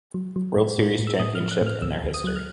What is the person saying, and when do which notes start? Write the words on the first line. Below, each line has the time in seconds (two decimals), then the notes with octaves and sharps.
World Series championship in their history.
0.14 F#3
0.36 F#3
0.56 A2
0.78 A2
0.99 A2
1.07 E6
1.19 A2 D#6
1.35 F6
1.40 F3
1.51 F#6
1.61 A2
1.67 F6
1.82 D2 E6
2.04 D2
2.14 D#6
2.24 F#3 F#6
2.36 F6